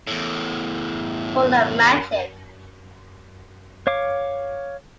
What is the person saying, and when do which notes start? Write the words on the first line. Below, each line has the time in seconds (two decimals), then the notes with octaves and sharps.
Full of magic.
0.07 E2 A2
3.87 C#5 F5 D6